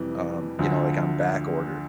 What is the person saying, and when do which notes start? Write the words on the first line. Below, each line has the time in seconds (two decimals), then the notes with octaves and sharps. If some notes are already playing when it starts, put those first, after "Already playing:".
um, you know, like, on back order.
Already playing: F2 C3 E3 G3
0.59 D2 D3 F3